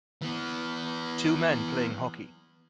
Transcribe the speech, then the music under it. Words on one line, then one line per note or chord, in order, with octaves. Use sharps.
Two men playing hockey.
E3 B3